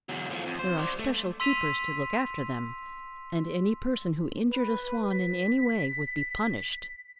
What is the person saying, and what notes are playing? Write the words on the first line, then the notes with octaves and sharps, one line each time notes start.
There are special keepers to look after them, and any person who injured a swan in any way would be punished.
E2 F#3
A2 F3
F2
C5
C5 D5
A3
C6 E6 B6 D#7 F7
B4
B6